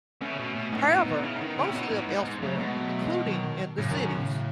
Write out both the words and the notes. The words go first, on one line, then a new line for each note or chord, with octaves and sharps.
However, most live elsewhere, including in the cities.
B2 A3 C#4
C#3
B2
B2
A2 B3 D#4
A2
B3 D#4
B2
C#3 C#4 E4
B3 D#4
D#3
B3 D#4
C#3 C#4 E4
A2
B2 B3 D#4
A2
G#2
G#2
C#3 F#3 A3
A3
B2 G#3 B3
F#3 A3
E3 G#3
D#3 F#3
B2 D#3
F#2 A2 C#3
B2 D#3
B2 D#3
A2 C#3